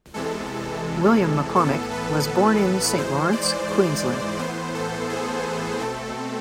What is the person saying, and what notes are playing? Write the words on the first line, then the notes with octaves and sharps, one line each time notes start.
William McCormack was born in St Lawrence, Queensland.
E2 C3 E3 G#3 A4
A2 E3 B3 A4
B4
G#2 E3 G#3 C5
D5
C5
A2 E3 B3 C5
A4
G#4
B2 A3 C4 A4